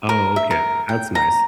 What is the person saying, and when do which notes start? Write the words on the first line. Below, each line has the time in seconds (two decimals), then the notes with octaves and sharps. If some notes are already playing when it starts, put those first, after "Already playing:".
Oh, okay. That's nice.
0.09 A#4
0.36 E5
0.51 A#4
0.89 G5
1.15 A#5